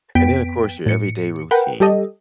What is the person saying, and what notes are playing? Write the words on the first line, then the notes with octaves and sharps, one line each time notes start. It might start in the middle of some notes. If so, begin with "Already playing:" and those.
and then, of course, your everyday routines,
F2 B3 G5 B6 D7
A2 C#7
A#4 B4 F#5 G5
G3 G4 A4 D#5